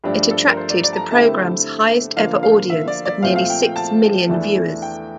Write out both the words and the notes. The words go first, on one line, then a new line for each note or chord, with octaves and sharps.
It attracted the programme's highest ever audience of nearly six million viewers.
G2 F3 A3 D4 G4
A4
A#4
C5
D5
D5
A5
A#5
D3 A3 C4 E4 G4 A5
D3 F3 A#3 F4 F5
F5
E5
D5
D5
A#2 F3 A3 C4 F4 F5
F5
G5
G5
A5
E2 E3 A3 D4
G5